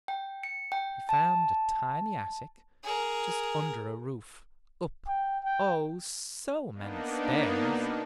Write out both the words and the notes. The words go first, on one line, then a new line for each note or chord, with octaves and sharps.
He found a tiny attic, just under a roof, up, oh! so many stairs.
G5
C#7
G5
A5
G#4 A#4
G5
G5
A#3 B3 D4 D#4
B2